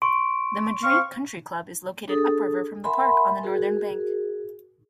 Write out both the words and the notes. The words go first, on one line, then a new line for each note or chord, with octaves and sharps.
The Madrid Country Club is located upriver from the park on the northern bank.
C6 C#6 D7
C4 F5 C#6
D4 G#4 A4 D#6
A#4 E5 F#5 G#5 B5 C6
F#4 G#4 A#4